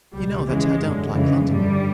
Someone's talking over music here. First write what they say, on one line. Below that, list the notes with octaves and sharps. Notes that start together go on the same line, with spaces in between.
You know that I don't like London.
C#2 B2 G3
E2 C#3 E3 G#3
F#2 D3
F2 C#3 E3 G#3
G2 D3 G3